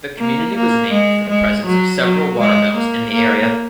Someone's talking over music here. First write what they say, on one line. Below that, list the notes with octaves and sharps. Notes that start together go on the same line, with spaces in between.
The community was named for the presence of several watermills in the area.
A#3
A#3
G#3
G#3
F#3
F#3
G#3
A#3
A#3